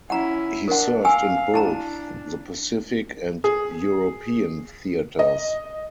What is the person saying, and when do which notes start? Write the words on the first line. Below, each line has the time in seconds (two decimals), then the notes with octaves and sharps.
He served in both the Pacific and European Theatres.
0.10 C#4 E4 F#5 A#5
0.68 D4 A#4 F#5
1.05 F5 G5 G#5 E6
1.54 D4 E4 A5 A#5
3.44 G#4
5.19 D#5